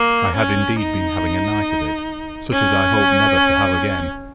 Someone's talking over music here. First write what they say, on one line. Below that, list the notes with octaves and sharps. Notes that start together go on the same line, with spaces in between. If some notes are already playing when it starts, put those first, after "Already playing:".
I had, indeed, been having a night of it, such as I hope never to have again.
Already playing: A#3
C#4
D#4
C#4